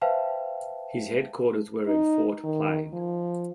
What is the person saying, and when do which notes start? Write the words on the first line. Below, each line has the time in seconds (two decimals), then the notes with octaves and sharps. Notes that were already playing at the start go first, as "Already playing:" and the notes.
His headquarters were at Fort Plain.
0.02 B4 C5 E5 F5 G5 A5
1.87 D#4
2.44 D#3
2.93 F3